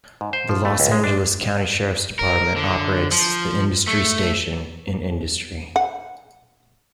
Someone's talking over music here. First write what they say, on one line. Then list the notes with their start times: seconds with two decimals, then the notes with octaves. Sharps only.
The Los Angeles County Sheriff's Department operates the Industry Station in Industry.
0.21 G#2
0.33 C5
0.49 F3
0.65 A3
0.80 C#2
0.92 G#3
1.04 D4
2.19 A#4
2.56 D3
3.12 F3
3.88 A3
5.76 F#5